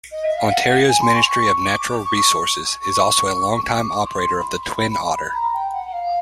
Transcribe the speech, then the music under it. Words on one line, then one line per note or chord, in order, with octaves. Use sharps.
Ontario's Ministry of Natural Resources is also a long-time operator of the Twin Otter.
D#5
E5
F5
F#5
G#5
C6
C#6
C#6
D6
C#6
C#6
D6
C#6
C6
B5
B5
A#5
G5
F#5
F#5
F5